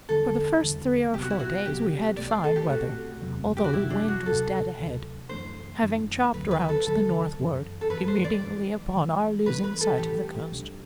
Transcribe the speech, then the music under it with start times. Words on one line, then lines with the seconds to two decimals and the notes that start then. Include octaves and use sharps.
For the first three or four days we had fine weather, although the wind was dead ahead; having chopped round to the northward, immediately upon our losing sight of the coast.
0.09 E1 E2 D3 G3 A4
0.61 E1 E2 D3 G3
1.13 C2 C3 F#3 B3 G4
1.22 F#4
1.30 E4
1.39 F#4
1.65 C2 C3 F#3 B3 G4
2.17 C2 B2 A3 C4 D5
2.31 C5
2.44 A4
2.56 G4
2.69 C2 B2 A3 C4 F#4
3.22 F#1 E2 C3 F#3
3.57 G4
3.64 F#4
3.73 F#1 E2 C3 F#3 E4
3.90 D4
4.08 F#4
4.25 D2 C3 F#3 A4
4.77 D2 C3 F#3
5.29 F#2 E3 A3 D4 C5
5.81 F#2 E3 A3 D4
6.34 D2 D3 F#3 B4
6.51 B4
6.69 A4
6.86 D2 D3 F#3 A4
7.38 G1 F#2 E3
7.81 A4
7.89 G1 F#2 E3 B4
8.08 C5
8.24 D5
8.42 A1 A2 E3 G3
8.94 A1 A2 E3 G3
9.46 A1 A2 E3 G3 B4
9.64 B4
9.81 A4
9.98 A1 A2 E3 G3 G4
10.51 C2 B2 G3 D4